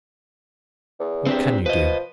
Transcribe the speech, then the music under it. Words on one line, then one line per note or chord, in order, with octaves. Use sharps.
"What can you do?"
E2
C4 D4 G4
F3 B4 D#5